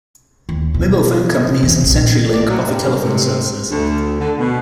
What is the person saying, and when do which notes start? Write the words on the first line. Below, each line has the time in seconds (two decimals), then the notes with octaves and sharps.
Mobile phone companies and Century Link offer telephone services.
0.49 D#2
0.74 B2
1.63 E2
1.84 A#1
2.32 D5
2.48 F#3
2.66 G2
3.02 C3
3.71 D2
4.19 D3
4.38 B2